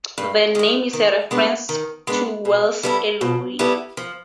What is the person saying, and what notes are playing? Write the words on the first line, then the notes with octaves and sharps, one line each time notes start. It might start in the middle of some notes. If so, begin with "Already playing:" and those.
The name is a reference to Wells' Eloi.
G2
D#3 G#3
D#3
G#3 B3 D4
D#3
G#3 B3 D4
B2
G3 B3 E4 A4
B2
G3 B3 E4 A4
F3